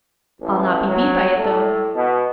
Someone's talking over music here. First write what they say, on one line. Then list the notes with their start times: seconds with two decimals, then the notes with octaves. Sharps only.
I'll not be beat by it, though.
0.41 A1
0.87 F#3
1.36 A2
1.94 B2